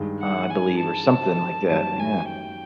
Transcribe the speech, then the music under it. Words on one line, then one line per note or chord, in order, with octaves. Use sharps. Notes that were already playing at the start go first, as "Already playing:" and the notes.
I believe, or something like that. Yeah.
Already playing: G2 D#3 G#3
F#5
G#5
A5
F#2 D#3 G3 A#3 A5
G#5
G5